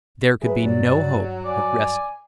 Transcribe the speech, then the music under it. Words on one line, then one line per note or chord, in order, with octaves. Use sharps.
There could be no hope of rescue.
F#3 G#4 B4 E5
G2 D5
D5 G#5